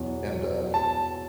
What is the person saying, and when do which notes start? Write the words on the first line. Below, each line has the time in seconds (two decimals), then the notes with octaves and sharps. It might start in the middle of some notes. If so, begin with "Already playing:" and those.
and, uh, f
Already playing: E2 B2 F#3
0.74 A5